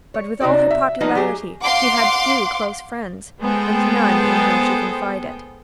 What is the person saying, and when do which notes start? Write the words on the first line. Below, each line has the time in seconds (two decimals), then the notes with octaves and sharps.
But with all her popularity she had few close friends, and no one in whom she confided.
0.14 C#5
0.40 C3 D#4 F#4 A4 D5
0.71 E5
1.00 F3 G3 A#3 D#4 D#5 F#5
1.15 F#3 G4 G#4
1.62 F5 F#5 C6 D6
3.41 G#3 B3 G#4 A4 C5 G5